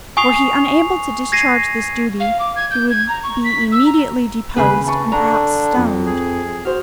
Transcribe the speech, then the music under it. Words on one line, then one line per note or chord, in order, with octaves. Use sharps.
Were he unable to discharge this duty, he would be immediately deposed and perhaps stoned.
G#5 C#6 D#6 C7 F7
G#6 A#6 C7 D#7
F5
D6
G#6
G6
G#6
A#5
C#6
B6
E6
A#5
D#2 C#3 G#4 B4
A5 C#6
D3 D4 A#5
F2
G#4
F#4 C5 F6